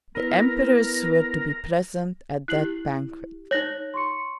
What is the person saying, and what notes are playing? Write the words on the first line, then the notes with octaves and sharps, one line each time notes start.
The Emperors were to be present at that banquet.
B3 E4 A#4 B4
E4 G4 F#6 C7 F#7
D#4 C#5 F#6 A#6 F#7
C6 C#6 C#7